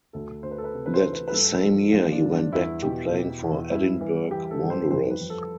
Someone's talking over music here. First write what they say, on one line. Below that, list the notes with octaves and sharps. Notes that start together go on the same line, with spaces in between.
That same year he went back to playing for Edinburgh Wanderers.
D2 A4
D2 C5
B4
A4
B4
C3
B4
C5
E3
B4
B4
G2 A4
F3
F3 F4
D4
G2
D4
E2 E4
B2 G4
B2
E2
G2 E4
E3
E3 G4
A4
G2
C5
F2 C5
B4
F2
A4